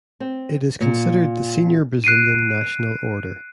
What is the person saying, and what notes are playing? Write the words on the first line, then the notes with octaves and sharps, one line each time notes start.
It is considered the senior Brazilian National Order.
C4
A#2
F#6 C7 D7 D#7